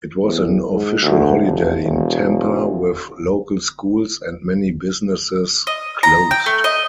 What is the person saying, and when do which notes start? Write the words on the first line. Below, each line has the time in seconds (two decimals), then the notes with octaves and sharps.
It was an official holiday in Tampa, with local schools and many businesses closed.
0.24 E2
0.72 G#2
1.02 D2
1.41 F1
1.84 E1
5.67 D#5
6.03 A#5
6.31 G5
6.46 A3
6.64 D#5